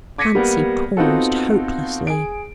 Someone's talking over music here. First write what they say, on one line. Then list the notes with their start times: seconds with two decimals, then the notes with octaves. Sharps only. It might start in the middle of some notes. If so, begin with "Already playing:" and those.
Fancy paused hopelessly.
0.18 D6 G#6 A#6 B6 C#7 D#7
0.35 G3 A#3 B3
0.97 B3 C4 D#4 F4 F#4 A4
2.07 G#4 D7